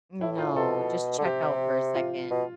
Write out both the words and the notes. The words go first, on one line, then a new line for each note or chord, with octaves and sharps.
Mm, no just check out for a second.
A2 E4
F4
B2 A4
D3
C3 G4
F4
B2